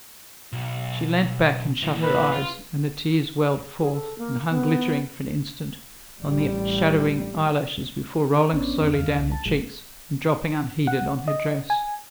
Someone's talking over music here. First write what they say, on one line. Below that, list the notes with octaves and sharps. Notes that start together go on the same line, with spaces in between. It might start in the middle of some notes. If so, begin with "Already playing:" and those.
She leant back and shut her eyes, and the tears welled forth, and hung glittering for an instant on the shadowing eye-lashes before rolling slowly down her cheeks, and dropping, unheeded, on her dress.
B1
A#2 E3
B4
F4
G#4
A4
A#3
B3
A1 G3
A1 B3 C#4 D4
F2
D#2 D#3 F5
C2
A5
F#1 A#2 F3 G#3
F#5
D#5
G#5